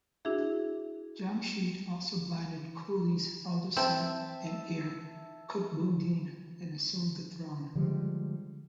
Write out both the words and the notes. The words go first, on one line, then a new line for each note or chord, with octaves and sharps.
Jamsheed also blinded Quli's elder son and heir, Kutbuddeen and assumed the throne.
D4 E4 F#4 G#4 E5
C4 E5 A5
D3 F3 G3 G#3